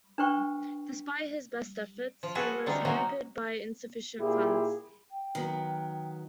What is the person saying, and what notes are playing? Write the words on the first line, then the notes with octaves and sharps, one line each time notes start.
Despite his best efforts, he was hampered by insufficient funds.
D4 B4 C5 G5 C#6
F3
F#4 G#4 A4 B4
D3 E3 G3 C4 D#4 F4
E3 F#3 A#3 C4 D#4 F#4
A#2 E4 G4 G#4
G5
D#3 F#3 B3